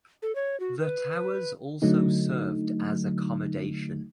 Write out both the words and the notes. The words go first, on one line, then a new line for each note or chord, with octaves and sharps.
The towers also served as accommodation.
A4
C#5
F#4
B4
D3 F#3 A3 D#4